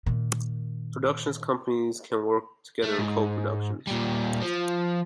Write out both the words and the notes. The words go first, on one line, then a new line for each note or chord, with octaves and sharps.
Production companies can work together in co-productions.
A#2 D#3
A3
G#2
A#2 G3
F3